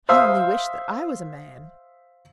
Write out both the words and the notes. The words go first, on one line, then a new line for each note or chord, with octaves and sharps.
I only wish that I was a man!'
C5 E5 F5 D#6